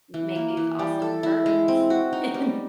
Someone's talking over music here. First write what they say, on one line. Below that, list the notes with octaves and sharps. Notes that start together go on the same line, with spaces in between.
m make these awesome birds." And
E3
A#3
E3
G3
A4
E4
G#3
C4
F#4
D#4
G3